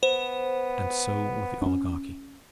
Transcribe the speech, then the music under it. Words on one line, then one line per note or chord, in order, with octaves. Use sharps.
And so with the Oligarchy.
B3 C5
C#4 D4